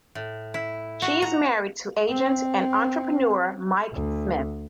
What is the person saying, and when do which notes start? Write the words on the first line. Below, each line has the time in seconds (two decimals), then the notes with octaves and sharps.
She is married to agent and entrepreneur Mike Smith.
0.15 A2
0.54 E4
1.02 F#4
1.22 A#5
2.09 C4
3.93 D2